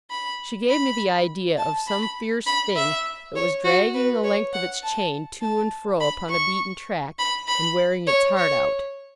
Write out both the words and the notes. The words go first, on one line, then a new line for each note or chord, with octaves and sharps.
She gave me the idea of some fierce thing, that was dragging the length of its chain to and fro upon a beaten track, and wearing its heart out.
B5
B5
A5
B5
B5
E5
C#5
F#4
B4
C#5
F#5
A5
A5
B5
C#6
B5
B5
C#5
C#5